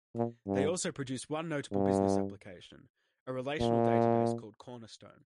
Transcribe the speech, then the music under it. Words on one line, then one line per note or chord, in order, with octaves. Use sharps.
They also produced one notable business application, a relational database called "Cornerstone".
A#2
G2
G2
A#2